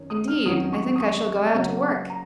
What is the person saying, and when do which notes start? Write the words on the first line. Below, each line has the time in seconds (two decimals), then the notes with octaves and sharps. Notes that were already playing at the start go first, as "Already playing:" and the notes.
Indeed, I think I shall go out to work.'
Already playing: F#2 D#3 C#4
0.10 D#6
0.28 F6
0.46 F2 D#3 F#3 C#4 D#6
0.73 C#6
0.96 D#6
1.01 C#6
1.54 C#3 F#3 A#3 C#4
2.10 A#5